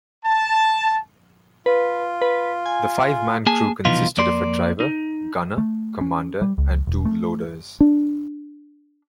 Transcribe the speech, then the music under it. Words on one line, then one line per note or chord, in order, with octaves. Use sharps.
The five-man crew consisted of a driver, gunner, commander and two loaders.
A5
F4 B4
B4
G#5
A#3 G#4 G#5 A5
C2 B2 E3 F3 D#4 F4
F2 A#3 D5 C6
D#4
A3
C#4
G3
C#2
E1
A3
D4